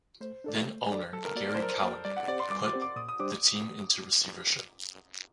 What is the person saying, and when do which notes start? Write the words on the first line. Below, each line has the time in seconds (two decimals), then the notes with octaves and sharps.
Then owner Gary Cowan put the team into receivership.
0.21 A3 C5
0.44 D4 A4 D5
0.68 A3
0.91 D4 A4 D5
1.13 F#3 A4
1.25 A#4
1.35 A#3 F#4 D5
1.48 D5
1.54 C5
1.59 F#3 A#4
1.69 C5
1.82 A#3 F#4
2.05 G3 D5
2.16 F#5
2.28 C4 G4 C5 D5
2.40 C6
2.50 G3 D6
2.66 D6
2.73 C4 G4 C5
2.82 D6
2.96 A#2 D#6
3.08 D#6
3.20 G3 D4 G4 C5 D6